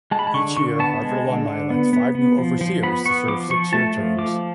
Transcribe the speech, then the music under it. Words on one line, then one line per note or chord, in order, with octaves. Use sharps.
Each year, Harvard alumni elect five new overseers to serve six-year terms.
G#3 A5
B5
A5
D3 C#6
D3 C#6
B3 A5
G#3
D3
D3
B3
B3
B3
F3
F3
B3 B5
B3 C#6
F3 D6
F3 C#6
A3 A5
F3
F3 D6